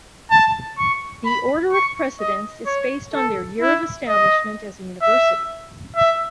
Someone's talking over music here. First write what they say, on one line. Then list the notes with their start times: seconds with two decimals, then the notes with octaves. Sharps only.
The order of precedence is based on their year of establishment as a university.
0.31 A5
0.78 C#6
1.25 B5
1.73 C#6
2.20 D#5
2.66 C#5
3.14 A4
3.61 E4
4.08 D#5
5.02 E5
5.96 E5